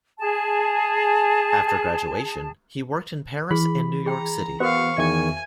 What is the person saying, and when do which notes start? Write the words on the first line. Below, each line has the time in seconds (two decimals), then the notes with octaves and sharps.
After graduation, he worked in Paris and New York City.
0.19 G#4 A5
3.51 E3 G#4 B5
4.06 G#4 G5 A#5
4.60 B3 F#4 A#4 C5 F5 C#6
4.98 E2 D#3 E5 G#5 C#6